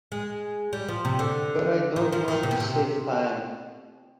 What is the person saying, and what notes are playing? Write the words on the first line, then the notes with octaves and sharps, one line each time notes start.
But I don't want to save time.
G#3
G3
F3
C3
D3
D#3
F3
D#3
C3
B2
C3